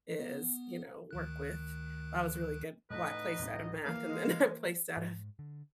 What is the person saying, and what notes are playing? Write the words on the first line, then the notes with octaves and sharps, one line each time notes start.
is, you know, work with I was really good well, I placed out of math and then I placed out of
B3
D2 D#3 F#6
A2 B3 D#4 A4 B4 D#5
D1 A1
E3 A#3 F5
G#3
G#2
D3